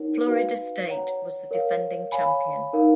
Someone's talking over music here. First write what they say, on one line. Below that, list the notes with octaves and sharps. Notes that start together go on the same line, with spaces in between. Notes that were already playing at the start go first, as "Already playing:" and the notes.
Florida State was the defending champion.
Already playing: D#4 A#4 C#5 F#5
F#4 B4 F5
C#5 F#5 A#5
A#4 C#5 F5
C#5 F5 G#5 B5
D#4 A#4 F5